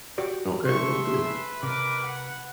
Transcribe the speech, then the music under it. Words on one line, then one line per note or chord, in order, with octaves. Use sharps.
Okay, will do.
F#4 G4 D5
C3 A3 C4 E5 C6 C#6
G#4 B4
C3 G#3 A#4 D6
F#5